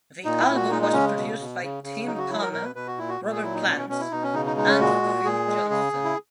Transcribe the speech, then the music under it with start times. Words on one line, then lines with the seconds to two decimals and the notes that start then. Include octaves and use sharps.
The album was produced by Tim Palmer, Robert Plant and Phil Johnstone.
0.25 A#2 D#4
0.40 E4
0.48 A#2
0.55 F#4
0.71 G#3 D#4
0.82 D#4
0.93 C#3 C#4
1.16 B2
1.39 B2
1.62 C#3
1.84 C#3
2.06 F#3 D#4
2.18 F#4
2.29 F#3 E4
2.42 A#4
2.52 B2 A#4
2.64 B4
2.75 B2 B4
2.87 F#4
2.98 A#2 E4
3.09 F#4
3.21 A#2
3.32 G#4
3.43 F#3 E4
3.55 D#4
3.66 B2 C#4
3.77 C#4
3.89 B2 C#4
4.00 E4
4.11 B2 D#4
4.23 C#4
4.34 C#3 D#4
4.46 D#4
4.57 G#3 D#4
4.68 C#4
4.80 A#2 F#4
5.02 A#2
5.25 A#2 G#4
5.47 G#3
5.70 C#3 G#4
5.93 C#3
6.05 E4